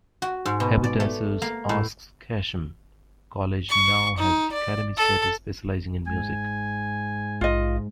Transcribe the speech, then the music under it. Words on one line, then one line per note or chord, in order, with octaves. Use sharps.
Haberdashers' Aske's Hatcham College now has academy status specialising in music.
F#4
G#2
B2
D5
A3
A#3
A2
C#6
D#4
D5
A4
G#2 G#5
A#1 F4 D#5